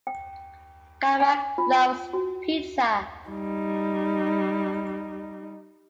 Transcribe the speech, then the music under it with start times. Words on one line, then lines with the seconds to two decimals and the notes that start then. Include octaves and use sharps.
Carmack loves pizza.
0.07 G5
1.20 G#5
1.58 F4
2.13 F#4
3.29 G3 D#4